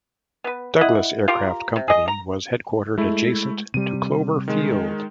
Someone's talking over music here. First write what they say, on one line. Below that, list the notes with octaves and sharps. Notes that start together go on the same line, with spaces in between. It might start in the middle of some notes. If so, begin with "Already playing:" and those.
Douglas Aircraft Company was headquartered adjacent to Clover Field.
B3 B4
E4 D#5 F#5
F4 G4 A#4
C3
G#4 D#5
A#5
G#3 A3 E4
C3 G3 D#7
D#3 G#3